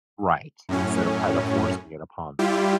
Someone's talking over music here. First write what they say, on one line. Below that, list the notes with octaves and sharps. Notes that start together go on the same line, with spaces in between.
Right. Instead of, kind of, forcing it upon them.
F#2 A2 C#4
G3 E4 F4 G4